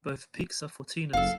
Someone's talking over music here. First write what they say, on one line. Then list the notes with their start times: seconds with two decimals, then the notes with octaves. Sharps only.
Both peaks are fourteeners.
1.13 F#1 A4 F5